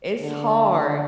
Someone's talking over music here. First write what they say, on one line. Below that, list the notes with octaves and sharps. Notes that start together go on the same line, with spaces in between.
it's hard.
D3